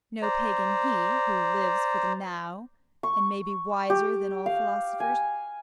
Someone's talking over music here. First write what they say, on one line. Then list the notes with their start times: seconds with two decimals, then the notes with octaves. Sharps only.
No Pagan he, who lives for the Now, and may be wiser than all philosophers.
0.22 C5 D5 A#5
3.03 C#6
3.90 G4
4.46 F5
5.00 G#5